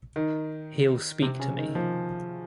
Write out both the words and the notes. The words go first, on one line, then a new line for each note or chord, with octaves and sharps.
He’ll speak to me.
D#3
C3
C#3
D#3
F3